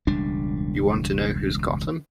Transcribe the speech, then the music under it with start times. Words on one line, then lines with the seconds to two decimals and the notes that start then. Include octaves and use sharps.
You want to know who's got 'em?
0.07 E1 C#2 G3 D4